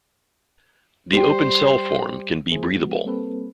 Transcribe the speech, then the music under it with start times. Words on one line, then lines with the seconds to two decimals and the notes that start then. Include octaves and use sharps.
The open-cell form can be breathable.
1.13 G3 C5 G5
2.51 D#3 F3 A#3 E4 G#4 C5
2.74 F3 G#3 B3 F#4
3.05 G3 A#3 C4 A4 B4